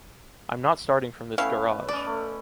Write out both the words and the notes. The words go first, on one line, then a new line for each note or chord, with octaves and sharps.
I’m not starting from this garage.
A3 B3 C#4 E4 F5
C#4 D5 D#5 B5
A3